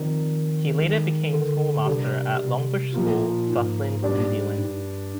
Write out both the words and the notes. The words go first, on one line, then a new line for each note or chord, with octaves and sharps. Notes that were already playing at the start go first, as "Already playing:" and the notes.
He later became schoolmaster at Longbush School, Southland, New Zealand.
Already playing: D#3 F3 C4 D#4 A#4 D5
G#3 D#4 G#4
D3
C3 G3 D4 G4 A#4 D5
C3
A#2 F3 A#3 F4
G#2
G3 D4 G4
G2